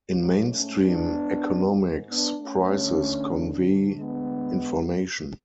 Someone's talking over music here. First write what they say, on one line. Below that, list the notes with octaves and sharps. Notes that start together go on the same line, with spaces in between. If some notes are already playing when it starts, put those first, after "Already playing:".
In mainstream economics, prices convey information.
G#2 F#3
A3 C#4
B3 D4
B3 D4
A3 C#4
D2 D3
G#3 B3